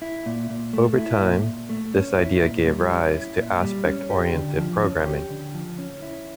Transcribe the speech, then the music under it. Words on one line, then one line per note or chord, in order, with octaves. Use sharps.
Over time, this idea gave rise to aspect-oriented programming.
E4
A#2
A#2
A3
E4
A#2
A#2
A3
C#4
E4
A#2
G3
C#4
E4
A#2
G3
C#4
G4
D3
F3
C#4
G4
D3
F3
C#4
E4